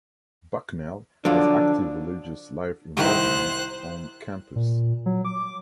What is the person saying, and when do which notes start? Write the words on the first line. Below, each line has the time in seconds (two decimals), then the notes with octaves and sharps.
Bucknell has active religious life involvement on campus.
1.25 D3 F3 F#3 D4
2.97 C2 D#3 E4 C5 F#6
4.56 A#2
5.06 F#3
5.25 D6